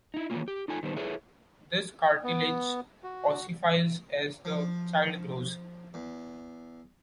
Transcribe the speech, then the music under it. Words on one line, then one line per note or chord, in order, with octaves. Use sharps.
This cartilage ossifies as the child grows.
D#4 E4
D#3 E3 F#3 G#3 A#3 F4
G4
D#4 F4 A4 G#5
D#3 G3 B3 C5
E4 G#4 A4 B4 C#5 E5
B3
F#4
F3
E2